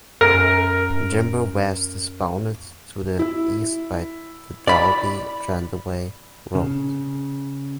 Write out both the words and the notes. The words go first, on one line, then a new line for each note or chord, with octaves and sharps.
Jimbour West is bounded to the east by the Dalby Jandowae Road.
F#2 A#4
E4
D5 B5
C#3